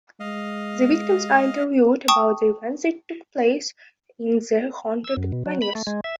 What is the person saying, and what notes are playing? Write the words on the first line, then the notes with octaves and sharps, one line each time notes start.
The victims are interviewed about the events that took place in the haunted venues.
G#3 D#5 F5
G5 A5 C#6 D#6
E6
F#2
B2
F#3
B5
A3
G#3
E5